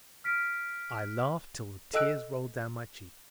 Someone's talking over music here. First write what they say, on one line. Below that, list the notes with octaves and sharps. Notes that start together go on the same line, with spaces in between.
I laughed till the tears rolled down my cheeks.
F6 B6 D7
A4 D#5 G5 E6 F#6 D7